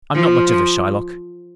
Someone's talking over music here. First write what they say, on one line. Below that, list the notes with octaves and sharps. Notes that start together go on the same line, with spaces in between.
I'm not much of a Shylock.
F3